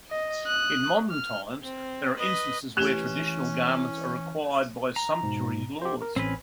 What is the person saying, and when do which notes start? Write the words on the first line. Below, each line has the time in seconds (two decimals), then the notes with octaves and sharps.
In modern times, there are instances where traditional garments are required by sumptuary laws.
0.11 D#5
0.46 D#6 F#6
1.10 F6
1.63 C4
2.18 B4 D#5
2.77 E3 A3 C#4 G4 F#6 E7 G7
4.96 A#5
5.23 G#2 B2
5.82 G4 C5
6.02 A#4
6.16 A1 C4 C#4 B4